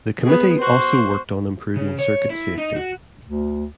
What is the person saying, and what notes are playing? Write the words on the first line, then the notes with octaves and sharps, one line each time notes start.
The committee also worked on improving circuit safety.
B3 G#4
F#4 C5
C#3
C#5
E4
D#4
F#4
D2